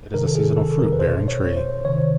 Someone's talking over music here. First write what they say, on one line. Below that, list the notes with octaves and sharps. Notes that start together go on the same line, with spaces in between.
It is a seasonal fruit bearing tree.
C3 D#3 A#4
A4
G#4
A4
A#4
B4
B2 C5
C#5
C5
C3 D#3 C#5